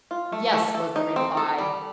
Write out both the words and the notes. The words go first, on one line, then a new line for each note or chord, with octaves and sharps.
"Yes," was the reply.
F4
A3
A3
A4
D#4
C4
A4
G3